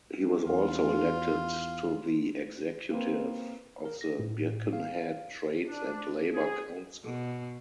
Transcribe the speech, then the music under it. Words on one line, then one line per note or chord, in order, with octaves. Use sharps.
He was also elected to the executive of the Birkenhead Trades and Labour Council.
E2 F4
A#3 C4 B4
A#4
A#6
A2
F5
D4
G#4
B2